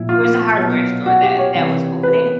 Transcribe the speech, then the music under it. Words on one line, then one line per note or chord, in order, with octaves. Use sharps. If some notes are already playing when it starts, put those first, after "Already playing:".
It was a hardware store that that was opening.
Already playing: A#2 F3 E4
F4
B2 F#3
F#4
G4
C#5
C3 E3 G3
B4